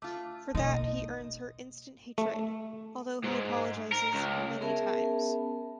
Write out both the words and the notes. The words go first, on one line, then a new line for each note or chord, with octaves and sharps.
For that, he earns her instant hatred, although he apologizes many times.
A3 F4 D6
B2 A#3 D#4 D#5
A3
G#2
A#4
C#2
B3 C#4 G#4 A#4 E5 A5